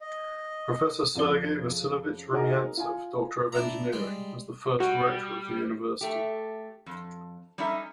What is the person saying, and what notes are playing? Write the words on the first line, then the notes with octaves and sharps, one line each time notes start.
Professor Sergey Vasilievich Rumiantsev, Doctor of Engineering, was the first Rector of the University.
D#5
F2 C#3 D5 G7
D#4 F#4 G#4 A#4 D#5
F4 G#5
D4 E4 A#5
G3 G#3
G3 F#4
A3 G4
F2
G3 C#4 D#4 A4 E5